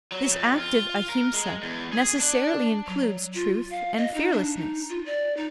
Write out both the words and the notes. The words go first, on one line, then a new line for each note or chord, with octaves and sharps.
This active Ahimsa necessarily includes truth and fearlessness.
F#3
F2
F4
A#4
G#3
E2
G#4
D4
F#3
F4
F5
D#5
D#4
D4
D#4
F4
D5
D#4